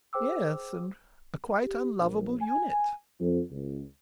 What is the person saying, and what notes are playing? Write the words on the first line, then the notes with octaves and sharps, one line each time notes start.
Yes, and a quite unlovable unit.
G#4 C5 G5 D6 E6
G4
A#1
G#5
F2
C#2